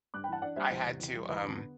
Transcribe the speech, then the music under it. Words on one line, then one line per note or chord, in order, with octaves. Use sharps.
I had to, um
G2 D6 F#6
G5 B5
E3 F#5 A5
D4 D5 F#5
G3 C5 E5
E2 C5
C3
E2
G3
E2 B4
D3
B3